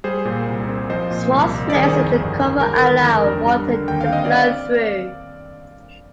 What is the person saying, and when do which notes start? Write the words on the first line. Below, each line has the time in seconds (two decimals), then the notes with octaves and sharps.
Small slits in the cover allow water to flow through.
0.04 G3 G#4 C5
0.25 A#2
0.47 C2
0.68 C4
0.90 F3 C5 D#5
1.11 A#2
1.32 C2
1.54 C2
1.70 D5
1.75 D#3 G#4 C5
1.97 F2
2.18 G1
2.39 G1
2.60 G#3 A#4
2.81 D#3
3.03 F2 A#4
3.25 D4
3.46 G3
3.67 D3
3.88 D#2 G5
4.01 F5
4.09 C4 D#5
4.24 D5 F5
4.31 C4